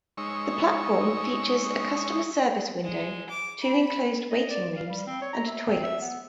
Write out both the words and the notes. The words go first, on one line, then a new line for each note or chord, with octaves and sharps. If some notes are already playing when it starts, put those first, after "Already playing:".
The platform features a customer service window, two enclosed waiting rooms and toilets.
G#3 D#4 C#5 C#6 E6
G#3
D6
B5
D#5
D5
F5
G3
C4
C#5
A#5
E5
C4
E5
B3